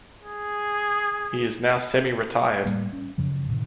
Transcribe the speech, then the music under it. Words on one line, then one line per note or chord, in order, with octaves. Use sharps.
He is now semi-retired.
G#4
A2 G3 A#3
C#4
F#2 C#3 F3
A2 C3 D#3